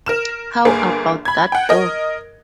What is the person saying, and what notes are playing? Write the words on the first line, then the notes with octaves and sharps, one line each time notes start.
How about that door?
A#4 F6 E7
G1 A#3 G#4
B5 G#6
F#5 G5
A#4 D#5